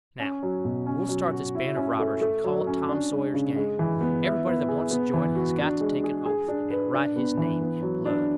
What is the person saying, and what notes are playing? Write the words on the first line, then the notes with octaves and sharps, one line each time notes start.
"Now, we'll start this band of robbers and call it Tom Sawyer's Gang. Everybody that wants to join has got to take an oath, and write his name in blood."
C#4
F#3
B2
C#4
F#3
F#4
E4
C#4
A3
A3
F#3
C#4
D4
G#3
C#3
G#3
E3
B3
E4
B3
G#4
B3
E3
F#4
D4
G#3
G#4
G#4
D4
B4
D4
B3
E3
B3
F#3
D4